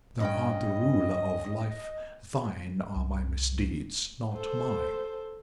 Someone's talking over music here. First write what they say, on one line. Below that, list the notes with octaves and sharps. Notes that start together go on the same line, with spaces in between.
If thou art the Ruler of Life, thine are my misdeeds, not mine.'
G2 C#4 D#5 G5
C2
A4 C5